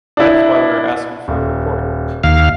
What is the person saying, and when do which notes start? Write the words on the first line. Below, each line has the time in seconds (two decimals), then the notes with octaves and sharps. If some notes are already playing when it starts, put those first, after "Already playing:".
That is why we are asking for a report.
0.17 D4 E4
1.28 D#1
2.24 D#2 F5